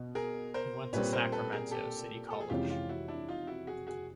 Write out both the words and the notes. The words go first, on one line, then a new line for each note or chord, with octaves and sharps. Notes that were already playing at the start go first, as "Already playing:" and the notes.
He went to Sacramento City College.
Already playing: B2
G#4 A#4
A#4 C5
A#2 G3 C4 B4 C#5
A#4 C5
A4 B4
G#4 A#4
G4 A4
A4
G#4
F2 C3 E3 G#3 C#4 F4 G4
F4 G4
E4 F#4
D4 E4
D#4 F4
E4 F#4
F#4 G#4
F#4 G#4